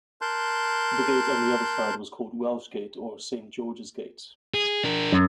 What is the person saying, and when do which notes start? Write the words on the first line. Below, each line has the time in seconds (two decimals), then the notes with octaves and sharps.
The gate on the other side was called "Welsh Gate" or "Saint George's Gate".
0.21 A#4 A5 C6 F#6 G6
4.54 G#4
4.84 D4 A#4
5.12 F#2